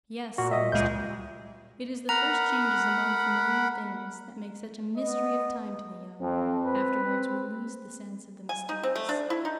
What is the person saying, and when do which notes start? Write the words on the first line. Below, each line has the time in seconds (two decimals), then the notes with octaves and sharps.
'Yes!' said Mr. Bell. 'It is the first changes among familiar things that make such a mystery of time to the young, afterwards we lose the sense of the mysterious.
0.38 A#2 F#4
0.51 D#5 E5
0.72 C#2 A#2 G#3 G6
2.09 A#4 F#5 A#5 B5
4.97 B3 D#5
6.21 F2 C4
6.66 B4
7.04 C4
8.49 G#5
8.69 D#4
8.83 C4
8.95 A3
9.09 D4
9.30 E4
9.45 D#4